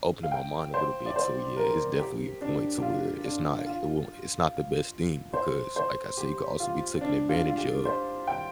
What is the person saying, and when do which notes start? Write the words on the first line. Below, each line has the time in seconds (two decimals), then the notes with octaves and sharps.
opening my mind a little bit, so, yeah, it's definitely a point to where it's not it won't it's not the best thing because, like I said, you could also be taken advantage of,
0.23 F5
0.32 G5
0.74 C5
1.06 D5
1.16 C5
1.57 A#4
1.99 G4
2.41 D4
2.78 G4
2.82 F4
3.24 D4
3.66 F4
5.34 C5
5.76 C5
6.17 G4
6.60 F4
7.01 D4
7.29 F4
7.48 F4
7.58 G4
7.85 C5
8.27 G5